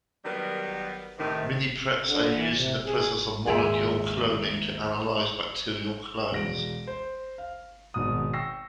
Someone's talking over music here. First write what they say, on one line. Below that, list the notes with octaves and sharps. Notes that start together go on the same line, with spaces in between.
Minipreps are used in the process of molecular cloning to analyze bacterial clones.
D#3 F#3 G3 B3 A#4 B4
A2 C3 D#3
D3
E3
C3
G#4
D#2 G#2 F4 G#4 E5 G5
E1 A#6 D7
C5
F5
G#1 B2 D#6
G5 C#6 E6 A#6 C7